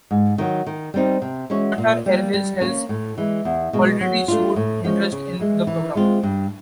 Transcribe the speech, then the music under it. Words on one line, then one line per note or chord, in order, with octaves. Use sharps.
Qatar Airways has already showed interest in the program.
G#2
D#3 F#3
D#3
G3 C4 D#4
C3
E3 G#3 C#4 F#4
A#2
G3 A#3
G3
A#3 C#4
A2
E3 G#3
E2
B2 G#3
F#3
A3 D4 F4
A2
F3 G#3 C#4
C#3
E3 G#3
E3
G#3 C4 F4
G2